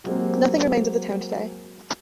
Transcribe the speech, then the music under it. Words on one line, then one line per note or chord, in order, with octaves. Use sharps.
Nothing remains of the town today.
F#3 G#3 A#3 C4 G4